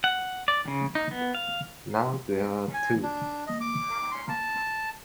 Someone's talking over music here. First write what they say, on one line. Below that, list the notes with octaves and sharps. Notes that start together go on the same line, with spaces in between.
Now there are two.
F#5
D5
C#3
D#4
B3
F5
G#5
D4
D#5
D6
C6
A5